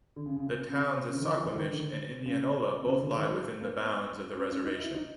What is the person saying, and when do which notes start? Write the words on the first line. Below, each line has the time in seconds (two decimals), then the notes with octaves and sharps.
The towns of Suquamish and Indianola both lie within the bounds of the reservation.
0.16 D3
0.26 C#3
0.36 C#3
0.46 C3
0.68 C#3
0.76 C3
1.07 C#3
1.15 D3
1.21 D#3
1.28 E3
1.36 F3
1.45 E3
1.56 D#3
1.66 D3
1.73 D#3
1.80 D3
2.26 C#3
2.81 C3
2.86 C#3
3.01 D3
3.16 D#3
3.30 F#3
3.61 A#3
3.75 B3
4.35 C#4
4.50 C#4
4.65 D#4
4.80 E4
4.95 D#4